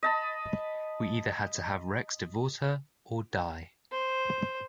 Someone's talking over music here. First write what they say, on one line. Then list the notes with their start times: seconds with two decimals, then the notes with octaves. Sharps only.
We either had to have Rex divorce her or die.
0.03 D#5 A5 B5
3.92 C5